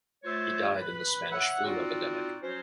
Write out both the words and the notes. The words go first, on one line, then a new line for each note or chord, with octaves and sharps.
He died in the Spanish flu epidemic.
A3 F4 C5 C#5 E6
B4 B5
C#5 E5 F#5
C4 D#4 F4 F#4 D5
F#3 C#4 F#4 C5